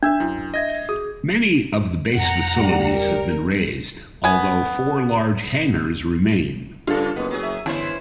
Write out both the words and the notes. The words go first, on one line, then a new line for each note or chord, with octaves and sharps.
Many of the base facilities have been razed, although four large hangars remain.
D4 E5 E6 G6
F#2 E4
D#5 E5 G#6 A#6
F#4 G#4 D#6
F2 F#5 A#5 C#7
G3
A#4
B3 G#5
G2 C#3 F4 A4
F#1 G#2 B3
F#3 G#4
E5
G1 E3 C#4 E4 C5